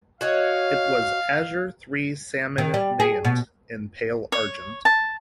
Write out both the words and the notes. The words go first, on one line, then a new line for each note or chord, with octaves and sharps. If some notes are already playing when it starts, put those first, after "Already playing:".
It was "Azure three salmon naiant in pale argent".
F#4 C#5 D#5 F5
D#3
G3
G#4
B2
C#5
A5